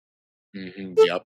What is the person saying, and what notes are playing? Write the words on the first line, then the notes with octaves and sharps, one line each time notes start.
Mhm. Yep.
A4